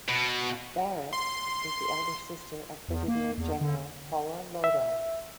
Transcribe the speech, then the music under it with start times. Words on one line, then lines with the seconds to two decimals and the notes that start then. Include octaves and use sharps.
Barrett is the elder sister of Brigadier General Paula Lodi.
0.08 B2
1.13 C6
2.89 E2
3.08 A#3
3.38 E2
3.61 D3
4.64 E5